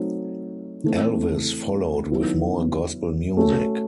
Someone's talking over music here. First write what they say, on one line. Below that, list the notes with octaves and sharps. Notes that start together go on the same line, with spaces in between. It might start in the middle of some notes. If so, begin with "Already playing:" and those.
Elvis followed with more gospel music.
Already playing: F#3 A3 C4 D#4 F#4
E3 A3 C4
D#3 F#3 B3 E4
A3 C#4 F#4 A4